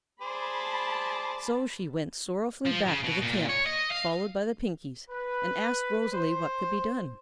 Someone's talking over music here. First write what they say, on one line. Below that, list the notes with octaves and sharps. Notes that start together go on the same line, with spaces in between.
So she went sorrowfully back to the camp, followed by the Pinkies, and asked Rosalie what could be done.
G#4 C5 D5 A5 B5
F3
C#3
B2
A#2
C#5
D#5
F5
B4
C5